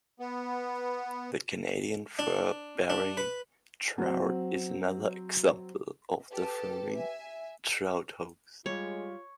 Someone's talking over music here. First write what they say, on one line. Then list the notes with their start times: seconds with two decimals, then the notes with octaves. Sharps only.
The Canadian fur-bearing trout is another example of the furry trout hoax.
0.19 B3
2.19 D4
2.90 D4
3.17 B4
3.98 F#3 C4
6.30 G4 A4 B4 A5
6.94 E5 G#5
8.66 G3 G#3 F4 C#5